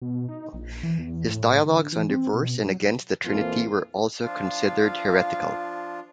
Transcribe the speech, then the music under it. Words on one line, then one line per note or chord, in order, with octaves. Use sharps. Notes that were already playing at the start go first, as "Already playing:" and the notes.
His dialogues on divorce and against the Trinity were also considered heretical.
B2
D#4
A#1
E3
E2
A2
D3
E3
C4
B2
F#3
A#1 F2 E3 F3 A#3 F4
F3 D4 F4 F5